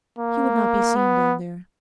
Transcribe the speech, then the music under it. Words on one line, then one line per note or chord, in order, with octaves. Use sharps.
He would not be seen down there.
A#3
B3